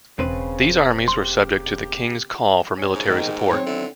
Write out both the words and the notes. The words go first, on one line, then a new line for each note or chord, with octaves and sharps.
These armies were subject to the king's call for military support.
E1 C#3 C4 B4
C#3 A#3 G4 C6
C#4
G#2
D#3 A#3 G4
D#3 F#3 C4 C#5
D3 E4